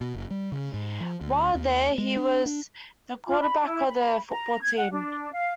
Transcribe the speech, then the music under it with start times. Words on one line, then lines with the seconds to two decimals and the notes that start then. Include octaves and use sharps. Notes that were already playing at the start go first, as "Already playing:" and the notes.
While there, he was the quarterback of the football team.
0.01 B2
0.15 F#1
0.31 G3
0.52 C#3
0.74 G#2
1.01 F3
1.21 D2
1.55 D#2
1.98 G#3
2.16 D4
2.46 D4
3.26 F4
3.40 B5
3.64 E4
3.88 B5
4.29 A#5
4.61 G#6
4.77 F#5
4.91 D4
5.33 F5